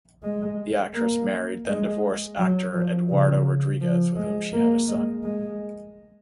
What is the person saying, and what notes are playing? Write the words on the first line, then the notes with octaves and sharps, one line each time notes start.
The actress married, then divorced, actor Eduardo Rodriguez, with whom she had a son.
G#3
A#3
G#3
F#3
F3
C#3
F3
G#3
A#3
G#3
G#3